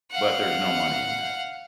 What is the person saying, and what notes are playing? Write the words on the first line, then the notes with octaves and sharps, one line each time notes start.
but there's no money in that."
F5 F#5